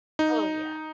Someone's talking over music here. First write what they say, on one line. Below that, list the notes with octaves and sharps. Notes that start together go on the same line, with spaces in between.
Oh, yeah.
D#4